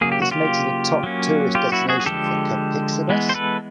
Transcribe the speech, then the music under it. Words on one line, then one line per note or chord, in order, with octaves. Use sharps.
This makes it a top tourist destination for Capixabas.
C#3 F#3 A#3 G#4
G4
F#4
F4 G4
F#3 A#3 C#4
F4 G4
E4 F#4
F#4 G#4
G#4
D3 F3 G#3 G4 A4
E3 G#3 B3
C5
A4 B4